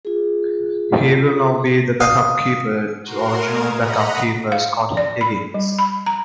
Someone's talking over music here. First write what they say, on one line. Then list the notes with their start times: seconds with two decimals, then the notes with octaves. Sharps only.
He will now be the back up keeper to original backup keeper Scott Higgins.
0.05 F4 G#4
2.01 F5 D#6
3.04 F#4 A#4 C6
3.42 A3 A#4 F5 D#6 G#6 E7
3.74 D#5 F#5 A#5 B5
4.52 F5
4.97 D5
5.21 B5
5.54 G3
5.79 B5
6.06 A#5